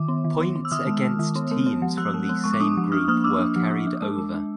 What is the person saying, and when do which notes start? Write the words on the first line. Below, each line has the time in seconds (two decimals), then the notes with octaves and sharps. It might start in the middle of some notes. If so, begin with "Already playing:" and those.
Points against teams from the same group were carried over.
Already playing: D#3 D6
0.08 B3
0.24 D#3
0.40 B3
0.55 B3
0.65 E6
0.71 D#3 D#6 F6
0.87 G#3
1.04 G#3
1.19 D#3
1.35 B3
1.51 G#3
1.66 B3
1.82 F3
1.97 F3 E6 F#6
2.14 G#3
2.29 B3
2.44 G#3 C#6
2.53 D6
2.60 D4 C#6 D#6
2.77 F3
2.92 D4 D#6 F6
3.08 A#3 D#6 F6
3.24 D4 D6 E6
3.39 D4
3.56 F3
3.71 D4
3.87 D4
4.02 G#3
4.18 G#3
4.34 D4